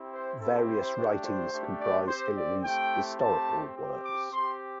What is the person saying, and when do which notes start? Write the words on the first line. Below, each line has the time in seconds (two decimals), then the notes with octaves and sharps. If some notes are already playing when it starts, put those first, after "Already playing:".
Various writings comprise Hilary's 'historical' works.
Already playing: C4 E4 G4
0.12 C5
0.39 C4 E4 G4 A4
0.68 C5
0.96 A3 D4 G4
1.24 C5
1.52 A3 D4 G4
1.79 D5
2.07 C4 G4 C5
2.36 D5
2.63 A3 C4 E4 G4 G5
3.20 A3 C4 G4 A5
3.75 C4 G4
4.04 D6
4.32 C4 G4 C6